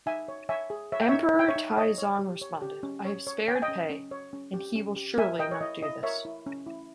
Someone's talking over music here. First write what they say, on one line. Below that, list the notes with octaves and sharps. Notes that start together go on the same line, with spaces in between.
Emperor Taizong responded, I have spared Pei, and he will surely not do this.
D#4 E5 G#5
C#5
C#5 E5 G#5
G#4
C#5 E5
G5
D#4 C#5 E5
D#4
G5
C#5 E5
D#4
C#5 D#5
C#5
G4
C#5
G4
C#4
C#5
C#5
C#5 G5
G#5
D#5 G5
C#4
C#4
C#5
C#4
G4
C#4
G4
A#4 E5 G#5
A#4 D#5 G5
C#5
E4 D#5
E4 D#5
A#4 C#5 E5
E4
C#4
E4